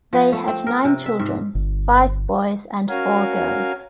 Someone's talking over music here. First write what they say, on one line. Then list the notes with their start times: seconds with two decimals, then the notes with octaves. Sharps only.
They had nine children: five boys and four girls.
0.13 F3
0.32 A3
0.48 C4
0.66 A#4
0.85 C3
1.06 E5
1.19 G#2
1.55 G1
2.89 C#4 F#4 A#4 F5 G#5